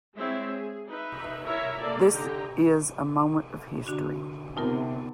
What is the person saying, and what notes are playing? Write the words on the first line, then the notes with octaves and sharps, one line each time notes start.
This is a moment of history.
G#3 C4 E4 C#5 E5
G#4
D#4 B4 E5
E4 A#4 C#5 E5 A#5
A#3 A4 D5
D3 D#4 G4 G5 A#5
D3 D4 F#4
C3 B3 D#4 F4 A#4 A5